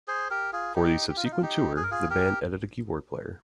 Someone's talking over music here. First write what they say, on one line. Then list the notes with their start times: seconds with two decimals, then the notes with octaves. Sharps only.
For the subsequent tour the band added a key-board player.
0.08 G#4 C5
0.30 G4 A#4
0.53 F4 G#4
0.75 D#4 G4
1.09 G4
1.17 F4
1.24 D#4
1.32 F4
1.42 D#4 G4
1.76 G#4
1.83 A#4
1.91 F4 G#4
2.10 G4 A#4